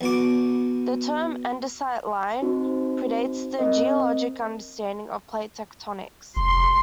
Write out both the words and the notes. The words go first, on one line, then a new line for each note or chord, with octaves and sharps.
The term "andesite line" predates the geologic understanding of plate tectonics.
E2 F#4 D6
C4 D#4 F#4 C5
C4 A#4 D#5
F1 C6